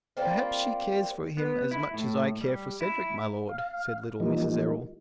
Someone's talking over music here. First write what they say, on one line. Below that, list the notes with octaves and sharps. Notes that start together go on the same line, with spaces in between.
"Perhaps she cares for him as much as I care for Cedric, my lord," said little Mrs. Errol.
G3 A#3 C4 F4
B3
E4
A2
G3
E4
F5
E3 F3 G3 A#3 D#4